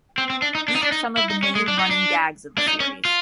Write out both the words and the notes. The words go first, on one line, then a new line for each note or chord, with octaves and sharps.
These are some of the main running gags of the series.
C4
C4
D4
D#4
D4
D#4
D4
D#4
E4
D#4
C#4
G#3
D4
D#4
D4
D4
D#4
C#4
F4